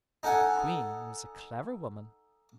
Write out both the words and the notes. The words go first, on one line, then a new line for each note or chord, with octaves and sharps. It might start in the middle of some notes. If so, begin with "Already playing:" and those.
But the Queen was a clever woman.
D#4 A4 F#5 G#5